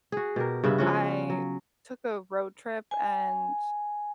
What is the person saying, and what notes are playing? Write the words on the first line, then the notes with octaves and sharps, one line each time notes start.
I took a road trip and
F#4 G#4
B2 G4 A#4
G2 C#3 B3 E5
F3 C#4 F#4
F#3
G#5